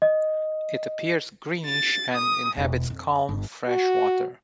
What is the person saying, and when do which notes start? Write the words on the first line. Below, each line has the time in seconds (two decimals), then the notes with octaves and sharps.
It appears greenish and inhabits calm, fresh water.
0.02 D#5
1.66 A6
2.13 D#6
2.57 E1
2.90 F2
3.29 G1
3.68 F#4